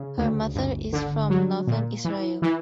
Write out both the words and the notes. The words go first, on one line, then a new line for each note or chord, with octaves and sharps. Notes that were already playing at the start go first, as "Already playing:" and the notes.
Her mother is from northern Israel.
Already playing: C#3
D2
G1
D3
F#3
A#2
E3
E3